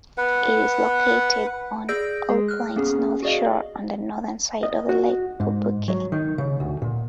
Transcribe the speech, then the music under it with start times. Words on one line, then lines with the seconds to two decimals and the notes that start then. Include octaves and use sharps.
It is located on Auckland's North Shore on the northern side of Lake Pupuke.
0.18 B4 F#5
1.89 G#4 D5 E6 G6 A#6 D7
2.29 G#3 G#4
2.48 F6 F#6
2.76 A#3 B3 C#4 G#4
3.23 F#4 G#4 D5 D#5 F5
4.63 D#5
4.89 F#4
5.40 G#2
5.88 F#3
6.12 D#3
6.38 C#3
6.60 D2
6.82 A#2